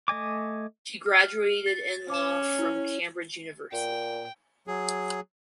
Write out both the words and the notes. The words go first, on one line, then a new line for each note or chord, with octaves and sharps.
She graduated in law from Cambridge University.
A3 D#5 G#5 D6
F6
A6
C#4 D6 E7
E4
A#2 G5
F#3 G#4